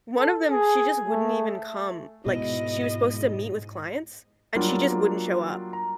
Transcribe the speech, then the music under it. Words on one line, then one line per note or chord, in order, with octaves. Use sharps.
One of them, she just wouldn't even come. Like, sh she was supposed to meet with clients, and she just wouldn't show up.
A4
G#4
A3
G#2 B2 E4 D#5
F#3 G3 A#3 D4 F4
A#5